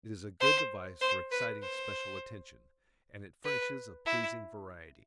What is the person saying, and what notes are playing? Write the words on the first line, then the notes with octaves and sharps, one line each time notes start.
It is a good device for exciting special attention, and it furnishes a pleasing variety.
C5
C5
B4
C5
B4
E4